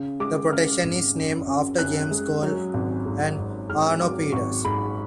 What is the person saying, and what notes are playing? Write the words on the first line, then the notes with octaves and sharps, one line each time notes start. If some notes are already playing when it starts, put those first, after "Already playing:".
The projection is named after James Gall and Arno Peters.
Already playing: C#3
G#3 D6
C#3 F6
G#1
F#2
F#2
F#2 F#6
G#3
F#3
G#1
G#2
G#2
G#2 F6
F#3 D6
G#1 C#6
G#2 B5